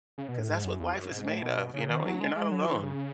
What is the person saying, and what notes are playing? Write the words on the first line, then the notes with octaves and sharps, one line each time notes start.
'cause that's what life is made of, you know? And you're not alone.
C#3
B2
A2
G#2
F#2
E2
F#2
G#2
A2
B2
C#3
D#3
F#3
G#3
G#3
F#3
E3
C#3